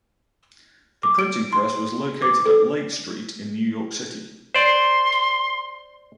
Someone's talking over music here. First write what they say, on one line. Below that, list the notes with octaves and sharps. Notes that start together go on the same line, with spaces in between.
The printing press was located at Laight Street in New York City.
D6
D7
C6
D6
A4
C5 D5 C6